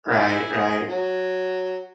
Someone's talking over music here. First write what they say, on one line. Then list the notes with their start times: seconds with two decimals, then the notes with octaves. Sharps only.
Right, right.
0.20 E4 G#5
0.52 G#4 D#5
0.89 F#3